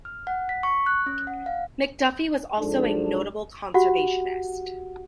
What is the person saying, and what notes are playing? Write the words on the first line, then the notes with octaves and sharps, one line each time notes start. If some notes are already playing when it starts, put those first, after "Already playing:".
McDuffie was also a notable conservationist.
F6
F#5
B6
C#6
F#6
C#4
F#5
F5
G#2 F3 D4 A4
F#4 G4 F#5